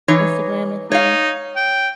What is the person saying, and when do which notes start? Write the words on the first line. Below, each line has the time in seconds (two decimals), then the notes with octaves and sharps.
Instagram, and things,
0.08 E3 D#4 C#5
0.92 D#4 C#5 F5
1.56 G5